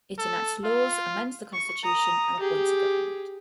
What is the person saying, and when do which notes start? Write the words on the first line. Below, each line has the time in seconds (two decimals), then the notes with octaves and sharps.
It enacts laws, amends the constitution and appoints a government.
0.18 A4
0.64 F4
1.52 C#6
1.83 A#5 D#6
2.39 G4 G#4